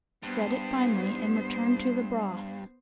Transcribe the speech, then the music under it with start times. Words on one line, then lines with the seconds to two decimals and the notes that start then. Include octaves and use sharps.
Shred it finely and return to the broth.
0.23 G2 B3 C5